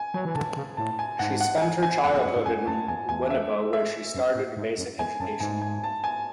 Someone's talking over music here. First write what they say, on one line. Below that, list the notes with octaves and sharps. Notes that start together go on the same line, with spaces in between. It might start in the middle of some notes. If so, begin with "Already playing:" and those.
She spent her childhood in Winneba where she started basic education.
Already playing: G#5
F#3 G#5
E3
D3 A5
C#3
A2 A5
G#5
G#2 F#5
F#5
G#5
G#5
F#2 F#5
E2
F#2
G#2
F#2 G#5
F#2 A5
E2 G#5
E2 G#5
E5
E5
F#2
A2
G#2
F#2
E2 G#5
F#2 A5
G#2 G#5
G#5
A5
G#5